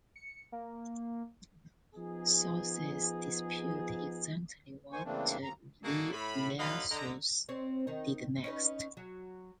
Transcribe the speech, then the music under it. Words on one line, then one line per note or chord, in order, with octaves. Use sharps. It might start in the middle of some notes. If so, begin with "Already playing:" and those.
Sources dispute exactly what Lij Iyasu's did next.
C#7
A#3
F3 B3 D#4 G#4
A#3 C5 G#5 C#6
C#3 E3 A3 A#3 C4 D4
D#2 A#5
A#3 D#4 F#4 G#4 A4 D5
A2 B5
D3 F#3 D#4 B4 F5 B5
D3 D#5 A#5
C4 C#5
D#3 D#4
C#4 D#4 B4
F#3